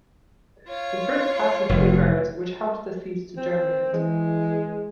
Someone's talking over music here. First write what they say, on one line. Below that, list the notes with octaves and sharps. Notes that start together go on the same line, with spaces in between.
The fruit passes through birds, which helps the seeds to germinate.
F4 C#5
F1
C4
E3 G#3